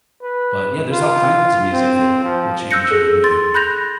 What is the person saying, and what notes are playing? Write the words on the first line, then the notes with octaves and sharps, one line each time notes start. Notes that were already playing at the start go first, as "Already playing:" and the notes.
But, yeah, there's all kinds of music that will change your mood.
B4
F4
C4
F3
E6 F#6 G6 A#6 C#7
G#4 A4
C6 A6
B5 F#6 G6 A#6 F7